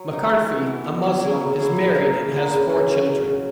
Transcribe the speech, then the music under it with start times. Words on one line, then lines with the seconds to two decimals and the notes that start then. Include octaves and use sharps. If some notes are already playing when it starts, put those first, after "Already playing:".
Makarfi, a Muslim, is married and has four children.
Already playing: F#3
0.11 A#3 D#4
0.29 E3
0.48 B3 F#4
0.66 E3
0.84 B3 F#4
1.04 F#3
1.21 A#3 E4 G#4
1.40 F#3
1.59 A#3 E4 G#4
1.76 A#2
1.95 A#3 E4 G#4
2.14 A#2
2.32 A#3 E4 G#4
2.50 C#3
2.69 F#3 C#4
2.87 C#3
3.05 F#3 C#4
3.24 C#3